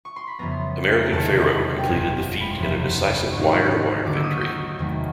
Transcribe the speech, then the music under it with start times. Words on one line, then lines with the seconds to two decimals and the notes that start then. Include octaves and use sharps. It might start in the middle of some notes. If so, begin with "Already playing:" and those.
American Pharoah completed the feat in a decisive wire to wire victory.
0.05 C#6
0.16 C6
0.27 B5
0.39 F2 C#3 E3 G3 B3 A#5
1.03 A#5
1.12 E2 C3 D#3 F#3 A5
1.78 G5
1.85 F#1 E2 B2 G#5
2.40 B5
2.51 C6
2.57 F#1 E2 C3 F3 B5
3.32 G#1 G#2 D#3 C#6
4.05 D#2 D3 F#3 A#3 D6
4.15 E6
4.23 D#6
4.33 C#6
4.79 E2 C3 D#3 F#3 A3